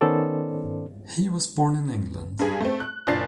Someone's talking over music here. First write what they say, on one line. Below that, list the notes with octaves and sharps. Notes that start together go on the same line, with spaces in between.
He was born in England.
D#3 B3 C#4 A4 C5 D5
G2 G3 G#4
A3 C4
F#6
F#1 A#2 D4 A6 C7